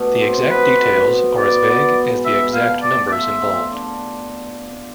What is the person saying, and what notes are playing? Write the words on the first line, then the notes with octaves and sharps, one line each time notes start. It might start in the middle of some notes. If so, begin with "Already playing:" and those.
The exact details are as vague as the exact numbers involved.
Already playing: B2 A3 D4
C4
B2 B4
B2
B2
B3 D5
B3
G#3
B4 E5
A3 F5
A3 D5
D5
F4 E5
F4
D4